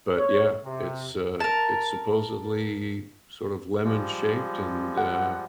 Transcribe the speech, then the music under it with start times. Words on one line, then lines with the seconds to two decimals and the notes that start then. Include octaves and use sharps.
But, yeah, it's, uh, it's supposedly sort of lemon shaped, and, uh,
0.18 C#5
0.65 C3
1.40 A#4 A5
3.84 F3 G3 G#3
4.98 F#5